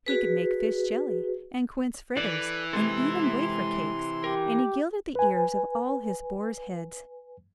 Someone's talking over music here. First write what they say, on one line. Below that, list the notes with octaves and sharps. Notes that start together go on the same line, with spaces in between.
He could make fish-jelly, and quince fritters, and even wafer-cakes; and he gilded the ears of all his boars' heads.
F#4 G#4 B4
E3 A4 D5
C3 G#3 C4 A4 C6
G4 A#4
B4 G#5